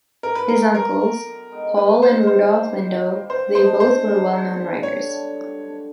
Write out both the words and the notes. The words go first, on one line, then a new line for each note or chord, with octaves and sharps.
His uncles, Paul and Rudolf Lindau, they both were well known writers.
A2 A#4
B4
F#3 B3 A#4
A2 A#4
F#3 B3
F#2
D#3 G#3 B3
F#2 B4
D#3 G#3 B3 C5
D#3 C5
G3 A#3
D#3
G3 A#3
E3 C5
G#3 B3 D4 C5
E3 C5
G#3 B3 D4
F#2
D3 G3
F#2 C#5
D3 G3
G2
D3 F#3